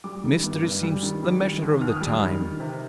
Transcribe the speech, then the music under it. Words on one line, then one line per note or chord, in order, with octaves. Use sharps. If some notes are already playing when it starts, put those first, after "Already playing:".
Mystery seems the measure of the time!
G3 D6
D#3
G2
G2
G3
D#3
G3
D#3
D#2
D#2 F6
D#6
G3 F6
D#3
D#3
C3